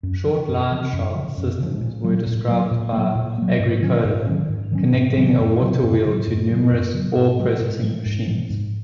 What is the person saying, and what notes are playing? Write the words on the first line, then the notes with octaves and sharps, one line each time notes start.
Short line-shaft systems were described by Agricola, connecting a waterwheel to numerous ore-processing machines.
F#2
C#3 F3
F#2
C#3 F3
F#2
C#3 F3
F#2
C#3 F3
A#2
F#3 A#3
A#2
F#3 A#3
A#2
F#3 A#3
A#2
F#3 A#3
G#2
D#3 F#3 C#4
G#2
D#3 F#3 C#4
G#2
D#3 F#3 C#4
G#2
D#3 F#3 C#4
F#2
C#3 F#3
F#2
C#3 F#3
F#2
C#3 F#3
F#2
C#3 F#3
G#2
F3 G#3
G#2
F3 G#3
G#2
F3 G#3
G#2